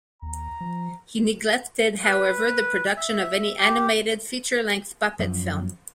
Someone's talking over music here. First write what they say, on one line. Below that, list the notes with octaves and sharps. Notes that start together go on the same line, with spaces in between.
He neglected, however, the production of any animated feature-length puppet film.
D#2 A#5
F3
B4
E5
G4
F#2 F3